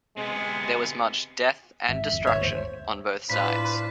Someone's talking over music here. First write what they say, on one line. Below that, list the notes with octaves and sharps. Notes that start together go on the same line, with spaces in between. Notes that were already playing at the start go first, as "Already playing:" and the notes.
There was much death and destruction on both sides.
C3 G#3 B3
G#1 E5
F2
G1 B2 D3 C#5 E5
D#2 G#2 C5
A2 D4 F4 B4 C5 B6